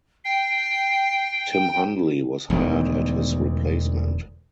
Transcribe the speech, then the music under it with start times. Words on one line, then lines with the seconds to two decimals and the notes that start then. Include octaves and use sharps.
Tim Hundley was hired as his replacement.
0.24 G5 C7
2.50 E1 D2 D#3